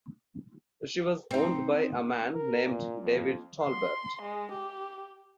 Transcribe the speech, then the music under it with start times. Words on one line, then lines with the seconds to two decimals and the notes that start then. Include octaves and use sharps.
She was owned by a man named David Tolbert.
1.31 C4 D#4
2.33 A#4
2.65 A#2
3.02 F2
3.63 C6
4.22 G#3
4.52 G4